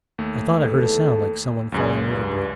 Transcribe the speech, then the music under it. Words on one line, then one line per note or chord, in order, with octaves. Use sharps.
I thought I heard a sound like some one falling overboard.
D#2 A3
E2 A4
C#2 F#2 A2 E3 C#4 G#4
G2